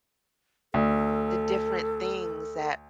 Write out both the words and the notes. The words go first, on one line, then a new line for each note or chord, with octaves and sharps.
the different things that
D2 A4